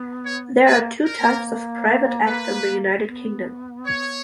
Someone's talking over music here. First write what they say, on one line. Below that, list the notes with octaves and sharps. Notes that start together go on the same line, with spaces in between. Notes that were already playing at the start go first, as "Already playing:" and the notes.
There are two types of private Act in the United Kingdom.
Already playing: B3
C#5
A#3 B4
A#4
A#3
B4
B3
C#5